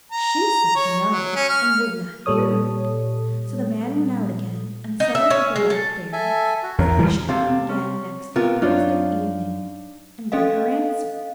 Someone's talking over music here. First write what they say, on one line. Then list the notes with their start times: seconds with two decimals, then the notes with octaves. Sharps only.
She said no, and would not hear of it; so the man went out again, and settled with the White Bear that he should come again next Thursday evening, and get her answer.
0.12 A#5
0.75 C#5
1.10 F#3
1.36 C#4
1.49 F6
2.26 A#2 G3 A4 C#5 D#6
5.00 D#4
5.15 E5
5.30 C#4
5.56 G#3
5.70 A4
6.13 A4 E5 G#5
6.63 F#4
6.78 E2 A#4
6.99 E3 G3 G#3
7.29 C3 A4 F5
7.69 C#4
8.36 C3 B3 F4 A#4
8.62 F#2 D4 D#4 F4
10.32 C#4 A4 D#5 F5